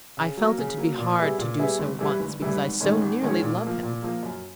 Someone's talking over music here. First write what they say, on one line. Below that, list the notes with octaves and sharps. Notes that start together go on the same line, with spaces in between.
I felt it to be hard to do so once, because I so nearly love him!
C#3
F#3 A#3
C#3
F#3 A#3
A#2
G3 B3 E4 G#4
A#2
G3 B3 E4 G#4
G1
G2 E3 G3
G1
G2 E3 G3
G#1
G#2 D#3 G#3 C#4
G#1
G#2 D#3 G#3 C#4
A#2
F3 A#3
A#2
F3 A#3
F#2